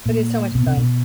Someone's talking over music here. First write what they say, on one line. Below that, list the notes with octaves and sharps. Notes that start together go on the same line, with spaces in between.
But it's so much fun.
A#2
B2
C3
B2